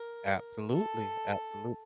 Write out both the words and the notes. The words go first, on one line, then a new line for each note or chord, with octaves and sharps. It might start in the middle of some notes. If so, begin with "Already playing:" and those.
Absolutely, absolute
Already playing: A#4
A4